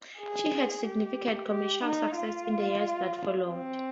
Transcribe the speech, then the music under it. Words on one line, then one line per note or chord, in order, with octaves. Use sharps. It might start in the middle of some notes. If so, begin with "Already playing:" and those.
She had significant commercial success in the years that followed.
G#4
G4
G4
D#4
F4
C4